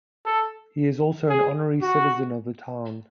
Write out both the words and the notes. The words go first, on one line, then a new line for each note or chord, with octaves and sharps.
He is also an honorary citizen of the town.
A4
G#4
F#4